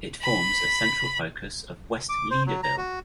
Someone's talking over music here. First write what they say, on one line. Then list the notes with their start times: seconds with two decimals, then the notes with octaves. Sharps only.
It forms a central focus of West Leederville.
0.22 B5
2.09 D6
2.31 C5
2.46 F#3
2.63 A#5
2.78 F#4